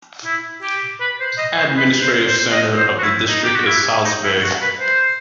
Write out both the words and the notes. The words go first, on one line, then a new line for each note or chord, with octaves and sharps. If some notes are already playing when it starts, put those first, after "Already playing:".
Administrative center of the district is Salzburg.
E4
G4
B4
C5
D#5
C5
B4
C5
C5
D#5
C5
F#4
E4
D#4
G4
F#4
E4
D#4
E4
F#4
B4
C5